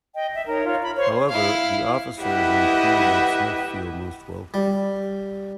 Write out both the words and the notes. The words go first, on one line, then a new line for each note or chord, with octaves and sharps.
However, the officers and crew made Smith feel most welcome.
D#5 G5
E5
D#4 A#4 C#5
F4 C#5
B5
C5 C#5 C6
E4 F5
E4 G4 B4 D#5 E5 F#5
G3